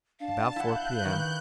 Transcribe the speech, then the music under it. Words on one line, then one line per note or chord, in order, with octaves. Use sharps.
About four p.m.
D4 F5 A5
E4 F#5 F#6 G6
D#3 B4